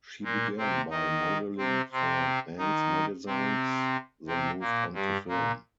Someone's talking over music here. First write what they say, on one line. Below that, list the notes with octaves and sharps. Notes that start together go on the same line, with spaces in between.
She began by modelling for men's magazines, then moved on to film.
A#2 A#3
C3 C4
D#3 D#4
C3 C4
C3 C4
D#3 D#4
C3 C4
C3 C4
A#2 A#3
G2 G3
A#2 A#3